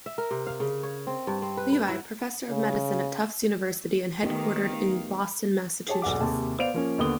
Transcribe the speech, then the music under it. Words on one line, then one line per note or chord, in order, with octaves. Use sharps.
Levy, Professor of Medicine at Tufts University and headquartered in Boston, Massachusetts.
E5
A#4
C3
F5
C#3
C#5
C4
G2
C4
B4
B4
E4
C#3
D#3 A3 B3 G4 F5
G4 G#4 C#5 A5
B1 E2 F#5 D6
D#2 C3 G#4 A5
B3 C5 D5 F5 D7 F7
F3 A#3 C#4
D#2 D3 A#3 B3 D#6 G7